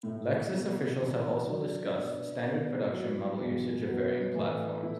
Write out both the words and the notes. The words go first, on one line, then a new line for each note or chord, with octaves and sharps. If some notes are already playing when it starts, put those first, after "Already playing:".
Lexus officials have also discussed standard production model usage of varying platforms.
A2 A3 E4
B2 A3 E4
E2 E3 D4
D3 F#3 D4
B2 B3 D4
B2 B3 D4
A2 F#3 B3 E4
E2 B2 F#3
B2 F#3 B3
A2 E3 A3 E4
A3 E4